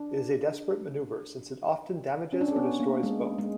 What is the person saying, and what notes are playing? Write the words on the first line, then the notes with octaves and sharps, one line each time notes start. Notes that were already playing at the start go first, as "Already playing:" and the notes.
It is a desperate maneuver since it often damages or destroys both.
Already playing: D4
C#4
D4
C#4
B3
A#3
G#3
G#3